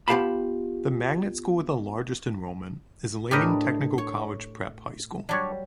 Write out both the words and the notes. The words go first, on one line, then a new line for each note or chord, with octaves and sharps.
The magnet school with the largest enrollment is Lane Technical College Prep High School.
B3 F4 G4 F5 A5 B5
A2 D4 G4 A#4 B4 D#5
C#5
F#3 G3 D4 C#5